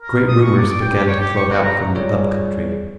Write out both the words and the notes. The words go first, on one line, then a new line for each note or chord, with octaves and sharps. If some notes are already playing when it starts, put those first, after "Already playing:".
Great rumours began to float out from the up-country.
A#4
D#6
C#6
D5
D6
G5
G4
C#5
G4
C#6
F#4
A#5
G3 F4 G#4 C#5 D5